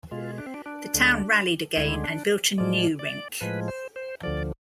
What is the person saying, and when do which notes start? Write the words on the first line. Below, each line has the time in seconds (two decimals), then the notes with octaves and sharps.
The town rallied again and built a new rink.
0.11 B2 G#3 F4
0.38 D4
0.46 C4
0.54 D4
0.66 D4
0.94 D2 D3 G#3
1.76 D2 D3 G#3 E4
2.04 D4
2.58 A2 F3 G#3 D5
2.99 D5
3.41 A2 F3 G#3 B4
3.68 C5
3.96 C5
4.23 D2 D3 F3 D5